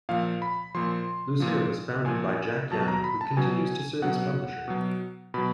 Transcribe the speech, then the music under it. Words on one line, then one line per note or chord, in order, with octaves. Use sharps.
"Lucire" was founded by Jack Yan, who continues to serve as publisher.
A#2 F3 F5
B5
A#2 F3 C6
A#2 F3
A#2 F3 G#5
B2 F#3 A5
A#5
B5
A5
B2 F#3 G#5
B2 F#3 F#5
B2 F#3
B2 F#3 B5